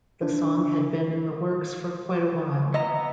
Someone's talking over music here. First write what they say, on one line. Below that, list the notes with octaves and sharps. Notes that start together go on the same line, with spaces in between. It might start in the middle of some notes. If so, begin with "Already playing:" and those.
The song had been in the works for quite a while.
D4
B3 D#5 E5 A#5